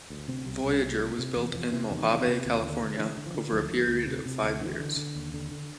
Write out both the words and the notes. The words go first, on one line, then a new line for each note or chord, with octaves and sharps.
Voyager was built in Mojave, California, over a period of five years.
D2
C3 C4
C2
C2
C3
C3
C3
E2 A#3
E2 F3
C3 E3
E2 D#3
C3
C3
D#2
D3
D3
D3 E3
D3
F3
D3
D2 F3
D2
D2
C3
C3
D2
D3 E3
D3
D3
D#2
D3
D3